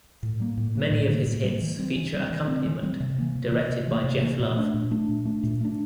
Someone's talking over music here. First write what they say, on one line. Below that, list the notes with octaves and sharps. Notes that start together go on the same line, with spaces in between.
Many of his hits feature accompaniment directed by Geoff Love.
A2
G3 A#3
A2
G3 A#3
A2
G3 A#3
A2
G3 A#3
E3
G3 C4
E3
G3 C4
E3
G3 C4
E3
G3 C4
C3
E3 A#3
C3
E3 A#3
C3
E3 A#3
C3
E3 A#3
A#2
A3 D4
A#2
A3 D4
A#2
A3 D4
A#2
A3 D4